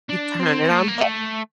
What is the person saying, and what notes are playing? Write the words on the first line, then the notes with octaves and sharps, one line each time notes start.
You turn it on back.
D4
C4
A#3
A3
A#3
A3